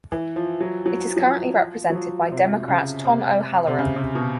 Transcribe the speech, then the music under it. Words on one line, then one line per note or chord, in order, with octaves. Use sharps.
It is currently represented by Democrat Tom O'Halleran.
E3
F3
F#3
F#3
F#3
F3
F3
F#3
F3
C3
C#3
C3
C3
C#3
C3
B2